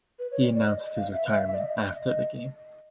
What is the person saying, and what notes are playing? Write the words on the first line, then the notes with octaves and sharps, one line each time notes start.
He announced his retirement after the game.
B4
C#5
D5
D5
D#5
F5
E5
E5
F5
E5
D5
D#5